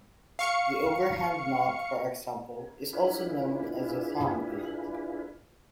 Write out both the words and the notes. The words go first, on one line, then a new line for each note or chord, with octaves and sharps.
The overhand knot, for example, is also known as the thumb knot.
F5 C#6 C#7
D4 E4 F4 G#4 B4